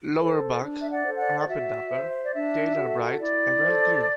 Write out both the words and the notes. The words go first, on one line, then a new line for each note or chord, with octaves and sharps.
Lower back, rump and upper tail are bright emerald green.
A4 C5
D4
E5
D5 F#5
A4 C5
D5 F#5
D5
F#4 E5
C5
D5
D4 E5
F#4 A4
E4 D5
A4 C5